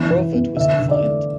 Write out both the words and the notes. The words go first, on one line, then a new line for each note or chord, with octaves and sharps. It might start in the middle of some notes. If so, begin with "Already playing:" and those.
Crawford was defiant.
Already playing: E3 B3
E3
B3
D3 E5
D3
D5
A3